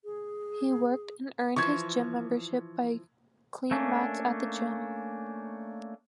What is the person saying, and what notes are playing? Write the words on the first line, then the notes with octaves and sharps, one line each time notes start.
He worked and earned his gym membership by clean mats at the gym.
G#4
E3 F3 C#6 G#6
A3 A#3 C#4 D4